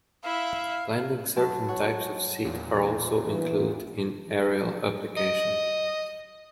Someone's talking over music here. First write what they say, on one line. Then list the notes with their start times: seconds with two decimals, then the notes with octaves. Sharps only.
Planting certain types of seed are also included in aerial application.
0.24 E4 E5 F5
1.36 F#2 F#3 A5
1.68 C#5 F#5
2.44 E2 A#2
3.26 E3
5.17 D#5